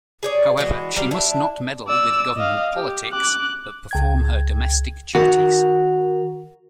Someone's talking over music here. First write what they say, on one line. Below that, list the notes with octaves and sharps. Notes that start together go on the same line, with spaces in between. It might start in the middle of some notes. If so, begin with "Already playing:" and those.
However, she must not meddle with government politics, but perform her domestic duties.
G#4 C#5 D5
E3 G#3 F#4
F#3 G3 F5
D4 E4
D5 E6
D#5 F5
G4
D6 F#6
C#2 G5 G#6
D#3 F#4 A#4